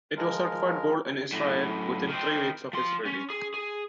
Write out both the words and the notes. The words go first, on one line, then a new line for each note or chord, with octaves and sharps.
It was certified gold in Israel within three weeks of its release.
F3 G#3 A#4
F#2 A2
D#3 C4
F3 C6
C#4
G#4
G#4